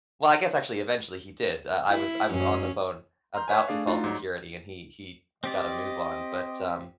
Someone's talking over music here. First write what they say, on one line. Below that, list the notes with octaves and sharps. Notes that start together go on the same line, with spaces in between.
well, I guess, actually, eventually, he did, uh, I was I was on the phone about to call security, and he he got a move on, but, um,
E4
F#2 C#4
A#5 C6 F6 G6
B4 C#5 E5 G#5
A3 D4 G#4 D5 F5
A3 D4 D#4 F4 F#4
G#2 F#3 D5
C4 G4 D5 D#5